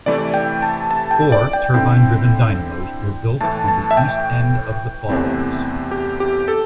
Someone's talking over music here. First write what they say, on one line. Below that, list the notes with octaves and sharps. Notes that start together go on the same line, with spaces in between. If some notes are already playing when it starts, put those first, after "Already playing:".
Four turbine driven dynamos were built on the east end of the falls.
C3 E3 A3 E4 D5
G5
A5
A5
G5
D5
G5
D3 C4 E4
A2 E3 A3 A5
A5
E5
G5
E2 C3 A3 C4 E4
G4
G4
A4